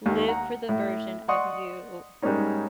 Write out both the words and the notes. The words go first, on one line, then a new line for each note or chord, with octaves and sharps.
"Live for the version of you
D#2 D#3
F#5 A#5
A2
D5 D#5 F#5 C6 C#6 D#6
G#2 G3 A#3 C#4 D#4